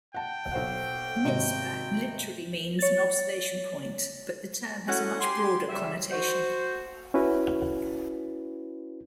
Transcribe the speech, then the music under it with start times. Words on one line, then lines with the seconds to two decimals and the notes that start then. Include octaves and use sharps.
"Mitzpeh" literally means an observation point but the term has a much broader connotation.
0.14 F#5 G5 A5
0.52 B1 C5 F#5
1.25 G#1 C3 D#5
2.79 C#5 A6
4.88 A3 C#4 E4 F#4 F#5
5.21 G4 G#5 C6
5.69 C#3 G3 E5
6.11 F#4 C5
7.14 C#4 E4 F#4 B4